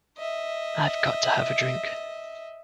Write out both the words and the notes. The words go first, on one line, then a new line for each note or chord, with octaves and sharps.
I've got to have a drink.
D#5 E5